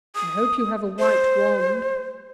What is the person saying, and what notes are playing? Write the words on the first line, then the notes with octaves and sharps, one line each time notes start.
I hope you have a white wand.'
D#6
C5